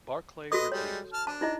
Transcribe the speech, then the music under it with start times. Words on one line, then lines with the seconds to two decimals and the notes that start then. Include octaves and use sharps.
Barclay refused.
0.52 F#4 A4 B4 D#5 D#6
0.72 G3 G#3 C#5
1.13 A5 F6
1.27 D4 A5
1.41 D#4 E4 D#5